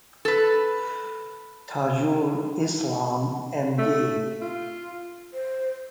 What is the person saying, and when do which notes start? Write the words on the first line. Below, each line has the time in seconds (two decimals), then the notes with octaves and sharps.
Tajul Islam Md.
0.25 A4 B4
3.78 A3
4.41 F4
5.33 C5